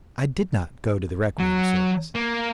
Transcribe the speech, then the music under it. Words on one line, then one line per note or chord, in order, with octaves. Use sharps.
I did not go to the requiem service.
F#3
A#3